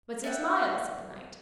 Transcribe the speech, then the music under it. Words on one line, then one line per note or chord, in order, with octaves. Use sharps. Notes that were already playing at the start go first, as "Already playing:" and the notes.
But six mile, said the knight.
D5 E5 F#5 G5